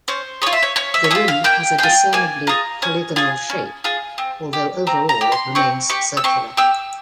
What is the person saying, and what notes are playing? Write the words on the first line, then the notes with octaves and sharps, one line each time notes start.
The rim has a discernibly polygonal shape, although overall it remains circular.
C#4 C5
F4 G#4 C#5
E5
C#5
C#4 C#5
E5
C#5
F4 G#4 E5
F5
A#3 G5
F4 G#4 G5
A#3 G#5
F4 G#4 A#5
C#4 G#5
F4 G#4 G#5
C#4
F4 G#4
C4
G4
C4 A#5
A#5
G4
C6
C4 C#6
G4 C#6
E6
C4 C#6
G4 E6